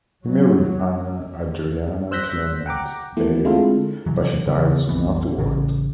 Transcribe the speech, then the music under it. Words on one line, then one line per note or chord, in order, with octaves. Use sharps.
He married Anna Adriana Clement there, but she died soon afterward.
F#3
C5 E6 F#6 G6 A#6 B6
F#5 G5 A#5 D6
E3 A3 B3
D3 G#3 C4 E4 F4 A4
C3 E3 F#3
C#3 E3 G#3 B3
B1 F2 E3 B3
A1 C#3